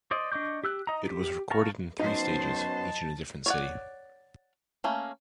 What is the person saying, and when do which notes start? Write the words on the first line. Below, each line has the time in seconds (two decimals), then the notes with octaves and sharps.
It was recorded in three stages, each in a different city.
0.11 C5 D5 D#5
0.32 D4 D#5 C#6 D6 G6
0.64 G4 E6 F#6
0.87 D#5 A#5
1.08 G4
1.50 F5 A5 A#5 C#6
1.99 F#2 B3 C#4 D#4 F#4 C5 A5
3.46 C#5 D5 F#5
4.84 A3 A#3 C#4